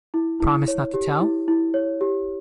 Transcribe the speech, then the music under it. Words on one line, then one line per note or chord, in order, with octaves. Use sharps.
Promise not to tell?
E4
E4
C#5
G4
E4
E4
C#5
G4